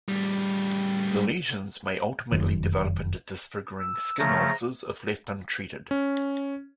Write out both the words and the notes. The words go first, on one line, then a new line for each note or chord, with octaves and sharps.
The lesions may ultimately develop into disfiguring skin ulcers if left untreated.
A2 G3
F1 F#2 D#3
E6
C#3 F3 A3 A#5
C#4